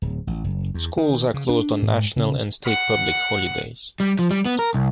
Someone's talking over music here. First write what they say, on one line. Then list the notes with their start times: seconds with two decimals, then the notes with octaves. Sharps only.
Schools are closed on national and state public holidays.
0.02 D1
0.27 A1
0.44 F#1
0.74 E2
0.97 D#3
1.34 C#3
1.49 D4
1.82 G#2
2.16 C#3
2.66 F#5
4.00 G3
4.19 F3
4.31 G3
4.46 B3
4.59 A#4
4.74 C2